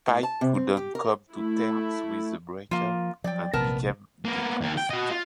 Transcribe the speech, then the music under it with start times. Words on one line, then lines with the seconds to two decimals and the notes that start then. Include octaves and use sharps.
Pike couldn't come to terms with the break-up and became depressed.
0.07 A2
0.23 A5
0.41 C3
0.55 C4
0.77 G4
0.95 A#4
1.33 A3 E4
2.71 F3 A#3 F4
3.24 F3 F#3 D5 G5
3.53 A#1 C3 A#3 B3 A#4 A5
4.25 A#3 B3
4.61 D#2 D#3
4.77 G5
4.90 F#4 D#5
5.11 F4